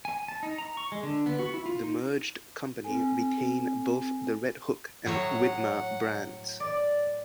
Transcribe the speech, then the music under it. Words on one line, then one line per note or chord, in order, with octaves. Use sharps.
The merged company retained both the Redhook and Widmer brands.
G#5
A5
D#4
A#5
C#6
G#3
D3
B3
F#4
E4
F4
D#4
C4 A4 G#5
A2 F#3 C#5 F#5
D5